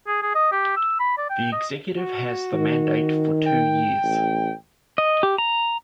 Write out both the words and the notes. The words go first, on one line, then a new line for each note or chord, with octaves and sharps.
The executive has the mandate for two years.
G#4
G#4
D#5
G4
E6
B5
D5
G5
D#5
F#4
D#3
G5
A1
D#5
G4
A#5